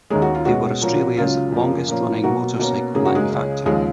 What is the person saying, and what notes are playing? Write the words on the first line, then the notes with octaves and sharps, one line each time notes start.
They were Australia's longest running motorcycle manufacturer.
D#2 D#3 G#3 A#3 C#4 G#4
F#4
F4
B2 G#3 C#4 F#4
A#2 F3 A#3 C#4
C#2 C#3 F#3 F4
F#2 C#3 F3 A#3
A#2 F3 A#3 C#4
B2 F#3 A#3 F#4
B2 A#3 C#4
F#2 C#3 F#3 A#3 G#4
F#4
G#3 G#4
C#2 C#3 G#3 C#4
D#2 C#3 F3 G#3 G#4